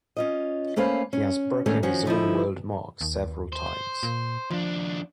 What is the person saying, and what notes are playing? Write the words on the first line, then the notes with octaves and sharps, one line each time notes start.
He has broken his own world mark several times.
C#4 F4 D#5
A3 A#3 C#4 B4 C5 F5
C#4
A2 D3 D#3 A3 C#4 D4
D#3 F3 C#4 F#4
D3 F3 D#4 E4
D#2
C5
A#2
D#2 F3 D4